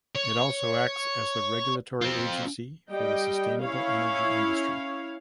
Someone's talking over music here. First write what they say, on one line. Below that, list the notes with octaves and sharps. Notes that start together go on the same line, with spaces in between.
It also acts as the regulatory agency for the sustainable energy industry.
C#5
C4 F4
G3 D#5 G5
C#4 E4 C#5 F5